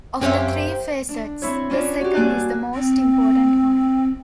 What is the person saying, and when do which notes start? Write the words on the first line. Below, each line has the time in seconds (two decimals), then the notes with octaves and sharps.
Of the three facets, the second is the most important one.
0.21 F#2 A#3 C4 C#4 G4 C5 C#5 E5
1.09 D4
1.42 C4 E4 C#5
1.70 C#4 D4 F4 C#5 D5
2.01 F#4 G4
2.15 G2 A#3 D5 G#5 F#6
2.74 C4